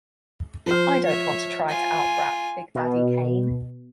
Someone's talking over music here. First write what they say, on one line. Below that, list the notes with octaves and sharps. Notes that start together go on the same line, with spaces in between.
I don't want to try to out-rap Big Daddy Kane.
F3 C5 F6
C#5 E5
F4 G#5
B2